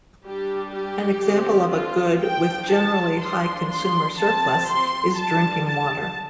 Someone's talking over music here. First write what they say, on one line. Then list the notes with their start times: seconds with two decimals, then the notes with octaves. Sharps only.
An example of a good with generally high consumer surplus is drinking water.
0.25 G3 D4 G4
0.73 G4
1.23 D3 F3 C4
1.72 F4
2.21 F3 D4 G5
2.70 A5
3.20 F3 D4 C6
3.70 C6
4.18 F3 C4 A5
4.67 C6
5.17 G3 D4 A5
5.66 A5